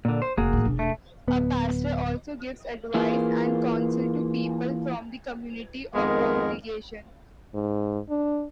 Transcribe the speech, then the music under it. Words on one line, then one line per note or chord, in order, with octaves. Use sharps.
A pastor also gives advice and counsel to people from the community or congregation.
A#2 D3
C5
F1 A#3 F#4 G#4
A2 D#3
E1 D4
A3
D1 B3
E3 A#3 F4 G#4
F2 D#3 G#3 B3 A#4
G#2
D4